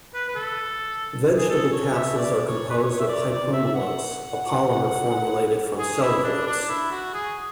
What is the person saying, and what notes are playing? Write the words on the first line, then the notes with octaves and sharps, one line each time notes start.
Vegetable capsules are composed of hypromellose, a polymer formulated from cellulose.
B4
B4
A4
G#4
A4
C#5
E5
D5
C#5
B4
C#5
E5
D5
D5
E5
E5
F#5
G#4
E4
E4
D4
D4
E4
F#4
G#4